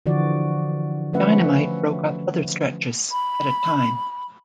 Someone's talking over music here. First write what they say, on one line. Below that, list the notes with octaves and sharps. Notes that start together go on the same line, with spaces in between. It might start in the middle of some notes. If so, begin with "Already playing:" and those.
Dynamite broke up other stretches, at a time.
D3 E3 F3 F#4 D5
F3 A3 C#4 B4 E5 F#5
B5